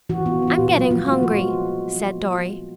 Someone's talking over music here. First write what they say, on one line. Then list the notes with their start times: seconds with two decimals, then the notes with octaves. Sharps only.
"I'm getting hungry," said Dorry.
0.09 E3 F#4
0.26 B3 F4
0.42 B3
0.47 F4
0.58 A#2
0.69 F4
0.74 F#3
0.90 F3 F4
1.07 G#3
1.12 F#4
1.23 F3